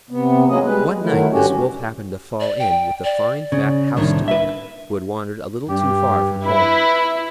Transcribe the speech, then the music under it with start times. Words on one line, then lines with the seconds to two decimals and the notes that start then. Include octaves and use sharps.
One night this Wolf happened to fall in with a fine fat House Dog who had wandered a little too far from home.
0.10 C3 B3
0.49 F#3 G#3 A#3 C#4 D#5
0.65 G3 G#3 B4
0.87 G#3
1.02 D#3 F#3 A3 E4
1.32 G2 D3 C#4 F#4 G4
2.40 D5
2.59 G5
3.04 D5
3.52 C#3
3.97 C2 A2 D#3 D4
4.28 B4 E5
5.69 G2 G4
6.45 E4 B4